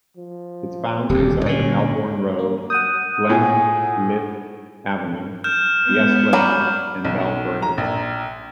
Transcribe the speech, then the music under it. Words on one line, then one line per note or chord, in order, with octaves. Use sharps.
Its boundaries are the Melbourne Road, Glenleith Avenue, The Esplanade and Bell Parade.
F3
D#1 D2 G4
A#2 D3 C#4
A#3
F#5 D#6 G6 D#7
A2 F4 G#4 G#5
F6 G6 E7
G#3 B3
F#3 G3
B1
A#5
A#1